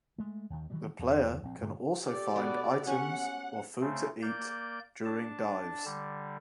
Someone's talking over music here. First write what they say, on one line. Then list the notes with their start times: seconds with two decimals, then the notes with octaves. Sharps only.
The player can also find items or food to eat during dives.
0.18 G#3 A3
0.50 D#2 D#3
0.70 D#3 E3 F#3 G3
0.99 E2 G2
1.43 A#1 C4
1.61 G2 A#2 D3 A3
2.01 G4 A4 D5
2.36 B2 B3
2.87 C#4 G4 F#5 G#5
3.81 C#3 A3 C4
4.22 A#3 D5 G6
5.05 D4 A5
5.85 D3 G3